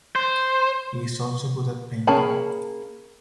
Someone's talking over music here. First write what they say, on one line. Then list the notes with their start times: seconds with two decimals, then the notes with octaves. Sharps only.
He is also good at painting.
0.16 C5
2.07 A#3 C#4 G#4 A5 B5